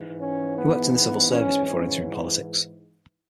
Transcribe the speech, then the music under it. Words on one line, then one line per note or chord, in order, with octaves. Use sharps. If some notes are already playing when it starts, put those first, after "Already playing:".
He worked in the civil service before entering politics.
Already playing: G#2 E3
C#4
B3
B3
G#2 E3 C#4
C#4